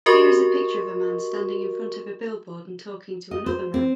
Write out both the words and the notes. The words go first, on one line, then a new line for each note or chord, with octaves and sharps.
Here is a picture of a man standing in front a billboard and talking to another man.
F#4 G4 A#4 D#5 C6 C#6
D#5
C5
C4